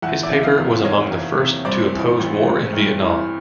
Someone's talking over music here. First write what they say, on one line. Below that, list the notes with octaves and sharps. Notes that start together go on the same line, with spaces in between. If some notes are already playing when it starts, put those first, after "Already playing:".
His paper was among the first to oppose war in Vietnam.
E2 E5 F#5
D5 E5
C3
D#5 F5
F#1
D#3 C#5 D#5
E2
C3
G2 C5 D5
E3
A1
A1
G2
E3